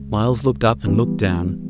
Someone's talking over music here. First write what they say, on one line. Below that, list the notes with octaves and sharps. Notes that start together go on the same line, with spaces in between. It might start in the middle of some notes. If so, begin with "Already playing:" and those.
Myles looked up and looked down.
Already playing: C#2 C#3 G#3
E3 G3 B3